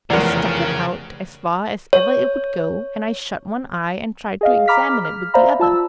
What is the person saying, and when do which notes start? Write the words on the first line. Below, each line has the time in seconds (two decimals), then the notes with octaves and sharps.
I stuck it out as far as ever it would go, and I shut one eye, and tried to examine it with the other.
0.10 F1 E2 C#3 C#4 A#4 D5
1.93 C#5
4.41 G#4 D#5 F5
4.68 A#5 B5 D6 F6 B6
5.05 F6
5.34 C5 D5 E5 F5 A#5 B5
5.59 F4 A5 E6